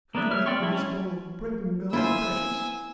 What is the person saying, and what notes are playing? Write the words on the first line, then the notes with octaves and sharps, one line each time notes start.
"Could you eat a nice bowl of bread-and-milk, precious?"
A#3 B3 D4 E4
F#3 C#5 E5 F6
D5 G5 C6 C#6
F3 E4
C#4
A#3 B3 E4 F4 C5 G#5 C6 E6